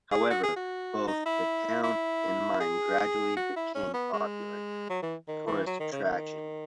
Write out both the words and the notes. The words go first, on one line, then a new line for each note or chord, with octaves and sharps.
However, both the town and mine gradually became popular tourist attractions.
G#4
F#4
G#4
F#4
D#4
E4
E4
G#4
F#4
E4
C#4
B3
G#3
F#3
E3
D#3
E3
F#3
D#3
C#3
D#3